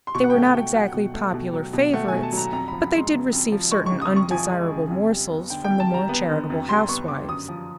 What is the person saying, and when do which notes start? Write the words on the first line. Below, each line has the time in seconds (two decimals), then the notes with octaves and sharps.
They were not exactly popular favorites, but they did receive certain undesirable morsels from the more charitable housewives.
0.07 C6
0.15 B2 C#6
0.24 F#5
0.30 A3 G5
0.45 G5
0.54 B2
0.59 G5
0.74 F#3 F#5
0.94 B2
1.14 A3
1.34 B2
1.53 F#3
1.73 B2
1.93 A3 F#5
2.08 B2 G#5
2.23 A5
2.33 F#3 A#5
2.53 F2 A#5
2.68 F3 B5
2.83 B5
2.92 G#3
2.97 C6
3.12 C#3
3.32 F2
3.52 F3
3.72 G#3 C#6
3.86 C#6
3.92 C#3
4.02 D#6
4.11 F2
4.16 C#6
4.31 F3 G#5
4.51 G#3
4.71 C#3
4.91 F2
5.11 G3
5.30 B3
5.50 D3 G5
5.64 G5
5.70 F2
5.80 A5
5.90 G3 A#5
6.09 B3
6.29 D3
6.50 F2
6.69 G3 C6
6.89 B3 C#6
7.08 D3 D6
7.29 F#2 D#6
7.48 F3